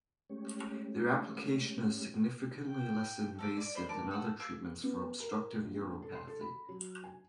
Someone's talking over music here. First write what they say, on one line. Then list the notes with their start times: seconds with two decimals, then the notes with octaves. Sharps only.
Their application is significantly less invasive than other treatments for obstructive uropathy.
0.30 G#3 A3 C#4 G4 C#5
2.68 G5
3.39 A4 A#5 D6
3.57 D5 D6
3.75 C5 D#5 B5
3.89 A#4 A5 D6
4.11 A4 F#5
4.39 F5 G#5 D6 E6
4.83 B3
5.20 A#4
5.61 A#1
6.02 A4
6.15 C6
6.27 A4
6.41 B5
6.69 F#3
7.04 G#5